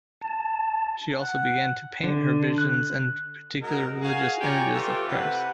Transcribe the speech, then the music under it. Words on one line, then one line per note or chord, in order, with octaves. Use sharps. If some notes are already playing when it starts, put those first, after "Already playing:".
She also began to paint her visions and particular religious images of Christ.
A5
F#5
D3
F#6
F#3 G#3 D#4 A#4
F#4 G#4 F5 G#5
F4 G4 C#5 D5 G#5 A#5
E3 A3 F4 G4
C3 B4 F#5